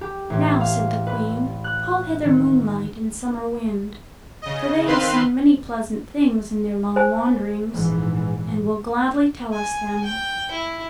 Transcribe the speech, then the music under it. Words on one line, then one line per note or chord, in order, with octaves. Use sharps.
"Now," said the Queen, "call hither Moon-light and Summer-Wind, for they have seen many pleasant things in their long wanderings, and will gladly tell us them."
G4
A1
F5
B4
F#6
D#3
C#3 D#5
D#3 C4 B4 F5 C6
C5 G#5
A#1 G#2 E3
G#5
G5
E4